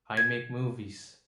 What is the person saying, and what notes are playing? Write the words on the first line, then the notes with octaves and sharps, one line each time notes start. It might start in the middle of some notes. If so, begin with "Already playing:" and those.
I make movies.
G#6